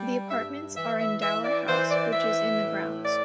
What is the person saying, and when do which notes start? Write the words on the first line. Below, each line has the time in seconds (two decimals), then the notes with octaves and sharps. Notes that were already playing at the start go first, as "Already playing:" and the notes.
The apartments are in Dower House which is in the grounds.
Already playing: G3
0.30 G2 E5
0.76 E3 E5
0.99 E5
1.21 E3 E5
1.44 D5
1.67 E3 C5
1.91 D5
2.13 E3 E5
2.59 A2
3.05 D5